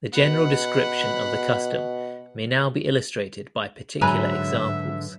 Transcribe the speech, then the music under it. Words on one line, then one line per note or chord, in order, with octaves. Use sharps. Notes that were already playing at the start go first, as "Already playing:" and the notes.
The general description of the custom may now be illustrated by particular examples.
B2 F#5 B5
G#2 D3 F#3 B4 E5 G#5 A#5